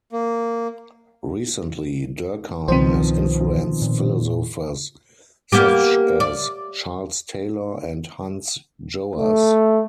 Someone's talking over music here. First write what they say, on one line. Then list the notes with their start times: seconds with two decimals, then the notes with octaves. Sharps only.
Recently, Durkheim has influenced philosophers such as Charles Taylor and Hans Joas.
0.12 A#3
2.68 C2 B2 D#3 F3 C4 C5
3.82 A#2
5.52 A#3 B3 G4
6.20 D5
9.15 A3